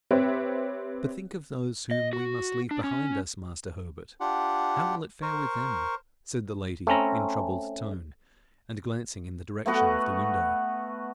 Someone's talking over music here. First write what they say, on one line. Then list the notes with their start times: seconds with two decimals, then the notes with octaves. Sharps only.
'But think of those whom we must leave behind us, master Herbert. How will it fare with them?' said the lady in troubled tone, and glancing in the direction of the window.
0.11 C4 G4 B4 C#5 E5
1.91 D#5
2.13 F#4
2.71 D4
2.84 C#4
4.20 D4 F4 G4 F#5
5.22 A#4 C5 C#6
6.87 A3 C4 C#4 A#5
9.66 A3 B3 F#4 B4